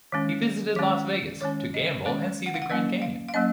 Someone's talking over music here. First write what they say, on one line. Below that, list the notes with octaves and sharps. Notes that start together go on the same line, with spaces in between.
He visited Las Vegas, to gamble and see the Grand Canyon.
D#3 G#3 C#4
D#3 G#3 C#4
D#3 G#3 C#4 C#5
D#5
D#3 G#3 C#4 F5
F#5
F5
F#5
F#3 A#3 C#4 F5
F5
F5
F#3 A#3 C#4 D#5